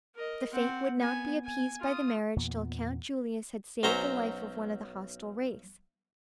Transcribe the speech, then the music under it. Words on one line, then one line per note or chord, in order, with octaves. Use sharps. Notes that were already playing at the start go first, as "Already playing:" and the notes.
The fate would not be appeased by the marriage, till Count Julius had saved the life of one of the hostile race.
A#4 D#5
C4 F#5
B3 G#5
G#5
F4 D#6
E2 A#2 B3
B1 F#3 C#4 C5 A#5